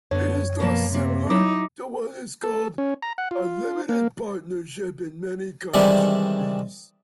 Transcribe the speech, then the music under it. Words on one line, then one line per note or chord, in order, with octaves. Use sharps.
It is thus similar to what is called a limited partnership in many countries.
F#2 D3 B3 C#5
B2 F3 A#3 A5
C3 A#3
F#3 D#4 E4 D6
A4
C#4
A#5
F#5
F4
A#3
C3 D#3 E3 G3 G#3 D4